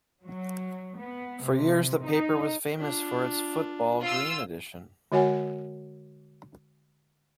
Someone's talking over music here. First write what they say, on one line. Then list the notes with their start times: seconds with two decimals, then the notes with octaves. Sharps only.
For years the paper was famous for its "Football Green" edition.
0.23 F#3
0.98 B3
1.44 C3
2.06 D#4
2.79 D4 F4
4.03 F4 E6
5.12 D3 G#3 F#4 C#5 F#5 G#5